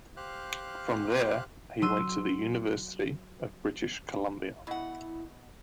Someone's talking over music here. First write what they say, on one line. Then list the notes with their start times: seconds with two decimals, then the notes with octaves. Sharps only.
From there he went to the University of British Columbia.
0.17 G4 C5 F5 F6 F#6
1.82 F#3 C6 E6 D#7
4.67 B2 E4 F#5